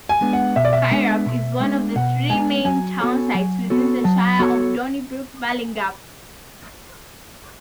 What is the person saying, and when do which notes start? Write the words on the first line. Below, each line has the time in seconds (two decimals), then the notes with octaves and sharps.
Kirup is one of the three main town sites within the Shire of Donnybrook-Balingup.
0.09 G#5
0.21 G#3 B3 D4
0.33 F#5
0.56 B2 E5
0.65 D5
0.73 E5
0.91 G#3 B3 D4
1.26 B2
1.60 G#3 B3 D4
1.96 B2 F#5
2.30 G#3 B3 D4 G#5
2.65 F#3 G#5
3.00 B3 F#4 A4 C#5
3.35 F#3
3.70 B3 F#4 A4 C#5
4.04 F#3 A5
4.39 B3 F#4 A4 C#5 C#6